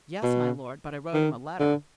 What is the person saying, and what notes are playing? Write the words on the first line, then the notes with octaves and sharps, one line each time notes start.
"Yes, my lord; but I wrote him a letter."
B2
D#3
D3